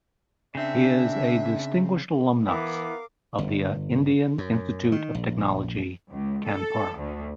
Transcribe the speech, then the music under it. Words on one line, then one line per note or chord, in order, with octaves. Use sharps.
He is a Distinguished Alumnus of the Indian Institute of Technology, Kanpur.
C#3 C4 D4 E5
E3 B3 E4 A#4 F5 D6
G1
F#2
D#3
A#1
C#2
A4
D2